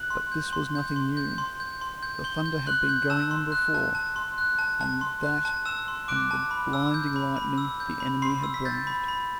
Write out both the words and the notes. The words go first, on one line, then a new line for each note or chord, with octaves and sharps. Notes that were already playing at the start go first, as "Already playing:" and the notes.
But this was nothing new: the thunder had been going on before, and that and the blinding lightning the enemy had braved.
Already playing: F#6 F#7
C6
G6
C6
G6
C6
G6
C6
G6
C6
G6
C6 G6 G7
G6
C6 F#6 F#7
G6
A5 E6 E7
C6
F#6
A5
A5
C6
F#6
A5
A5
C6
F#6
A5
A5 E6 E7
C6
D6 F#6 D7
A5
B5
E6
G6
B5
B5
E6
G6
B5
B5 C6 C7
E6
B6
G6 A6
B5
B5